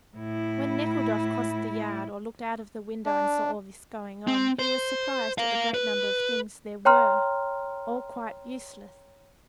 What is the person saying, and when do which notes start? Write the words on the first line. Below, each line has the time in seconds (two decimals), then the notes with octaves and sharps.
When Nekhludoff crossed the yard or looked out of the window and saw all this going on, he was surprised at the great number of things there were, all quite useless.
0.16 A2 E4
3.06 D4
4.27 C4
4.59 C5
5.38 A#4 F5
5.74 B4
6.85 C#5 G5 A#5 C6 F6